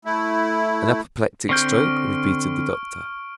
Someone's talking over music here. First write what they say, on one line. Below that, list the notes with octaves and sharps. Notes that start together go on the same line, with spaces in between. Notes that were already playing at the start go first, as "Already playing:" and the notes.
"An apoplectic stroke?" repeated the doctor.
A3 E4
D3 C4 C#6 F6 G6 D7